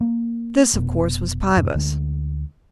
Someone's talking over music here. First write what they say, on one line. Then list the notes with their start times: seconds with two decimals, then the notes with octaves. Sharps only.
This, of course, was Pybus.
0.01 A#3
0.73 F1 B2
1.56 F2 G#2 C3
1.74 D2 D3 G#3